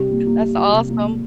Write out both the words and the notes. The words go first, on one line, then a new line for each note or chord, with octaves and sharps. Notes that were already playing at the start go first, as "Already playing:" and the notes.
That's awesome.
Already playing: C3 G3
A#3
A#3
A#3
G3
C3
A#3